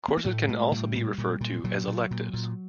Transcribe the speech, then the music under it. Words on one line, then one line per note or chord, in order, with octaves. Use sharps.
Courses can also be referred to as "electives".
B3
A#3
A2 A3
A2 G#3
A2 G3
A#2
A#2
A#2
A#2 F#3
A#2
A#2
A#2